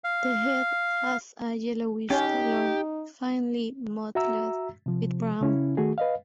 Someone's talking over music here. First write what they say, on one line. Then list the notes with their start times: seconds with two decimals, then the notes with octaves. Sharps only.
The head has a yellowish colour, finely mottled with brown.
0.04 F5
2.10 C#4 D#4 G4
4.15 F#4 E5 A#5 E6
4.86 C3 F3
5.41 C#3 C#4 E4
5.77 D#3 A3 F#4 G#4
5.98 B4 D#5 F5